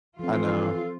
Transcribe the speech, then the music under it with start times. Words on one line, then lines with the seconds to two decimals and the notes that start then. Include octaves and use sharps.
I know.
0.19 E3 F3 C4 F4 A4